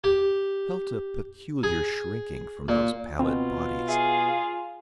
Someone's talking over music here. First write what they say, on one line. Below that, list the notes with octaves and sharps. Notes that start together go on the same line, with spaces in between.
I felt a peculiar shrinking from those pallid bodies.
G4
G#4
A#2
B2 C4 F4
G#4 E5 F5 C7